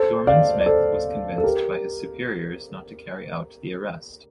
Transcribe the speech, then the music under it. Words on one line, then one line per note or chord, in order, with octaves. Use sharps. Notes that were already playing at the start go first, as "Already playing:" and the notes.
Dorman-Smith was convinced by his superiors not to carry out the arrest.
Already playing: A4 C5
D5 F5
D5
A4 C5
A4
G4 A#4